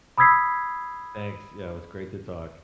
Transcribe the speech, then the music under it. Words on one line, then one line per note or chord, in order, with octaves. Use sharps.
thanks. Yeah, it was great to talk.
B5 D#6 E6 G#6 B6 C7